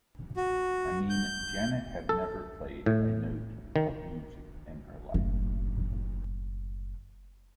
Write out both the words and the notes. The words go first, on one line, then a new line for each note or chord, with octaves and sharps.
I mean Janet had never played a note of music in her life.
F#4
G6
A4
A2
D#3
F#1 A2